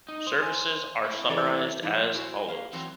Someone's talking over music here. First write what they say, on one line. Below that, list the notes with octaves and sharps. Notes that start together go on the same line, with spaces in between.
Services are summarised as follows.
D#4
C5 D#6
G#5
E4 C#5
E3 A4 D5
E3 G3 A3 B3 D#4 E4
F3
E4 F#4 G#4 C5 C#5
A#3 B4 F5
E3 F#3 A3 C4